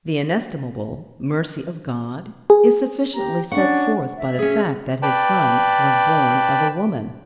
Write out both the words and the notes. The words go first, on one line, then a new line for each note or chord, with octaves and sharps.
The inestimable mercy of God is sufficiently set forth by the fact that His Son was born of a woman.
G#4
G4 A#5
C#4 D4 F#5 C#6
E5
C#4 G#4
B4 D5 G5 A5